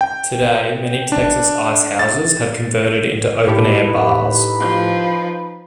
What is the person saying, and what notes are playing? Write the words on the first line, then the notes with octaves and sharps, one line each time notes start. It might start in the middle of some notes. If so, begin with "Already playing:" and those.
Today many Texas ice houses have converted into open-air bars.
G5
D4
A6
A2 D#4 G4 A4 B4 B5
F3